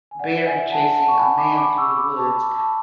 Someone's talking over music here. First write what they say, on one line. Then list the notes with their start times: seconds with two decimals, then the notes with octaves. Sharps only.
bear chasing a man through the woods,
0.11 G#5
0.19 D5 F#5
0.46 E5 G#5
0.72 F#5 A5
0.98 F#5 A5
1.08 C#6
1.18 G#5 B5
1.38 B5 D6
1.57 B5 D6
1.77 C#6 E6
1.89 C#6
1.97 B5 D6
2.17 A5 C#6
2.36 B5 D6
2.56 A5 C#6